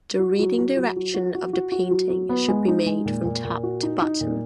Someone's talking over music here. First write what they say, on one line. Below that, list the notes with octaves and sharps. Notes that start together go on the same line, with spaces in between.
The reading direction of the painting should be made from top to bottom.
F#4
F#3
F#3
F#3
F#3
F#4
F#4
F#4
F#4
F#3
F#3
B3
G#3
D#4
G#3
A#2
A#2
A#2
F#4
D#4
D#4
A#2